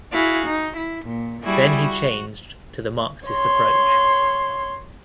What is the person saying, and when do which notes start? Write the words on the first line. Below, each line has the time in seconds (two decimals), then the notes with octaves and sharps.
Then he changed to the Marxist approach.
0.12 E4 F#4 G#4 F5
0.46 D#4
0.75 E4
1.05 A#2
1.43 G3 E4 F#4 G#4
1.79 F#4
3.28 C#5 C6